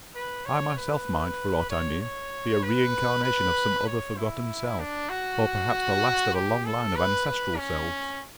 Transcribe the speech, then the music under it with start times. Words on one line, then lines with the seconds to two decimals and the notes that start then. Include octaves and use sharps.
I myself might, for aught I knew, be a reincarnation of some other forgotten self, or perhaps the last of a long line of ancestral selves.
0.15 B4
0.46 C#5
0.77 B4
1.70 C#5
2.01 C#5
2.63 B4
3.24 B4
3.87 C#5
4.17 E4
4.79 D4
5.09 F#4
6.34 G4
6.65 A4
6.96 B4
7.26 B4
7.56 C#4